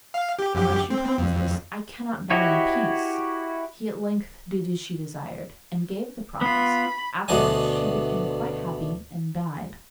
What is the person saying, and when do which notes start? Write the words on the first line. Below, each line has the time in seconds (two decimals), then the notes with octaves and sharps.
'Unless you promise this I cannot die in peace,' he at length did as she desired, and gave the promise, after which she became quite happy and died.
0.14 F5
0.39 G4
0.55 F#2 G4
0.90 C4
1.18 F2
2.30 E4 F#4 G4 C#5 D#5
6.41 B3 F4 B5
7.28 D2 B2 B3 D4 D#5 G#5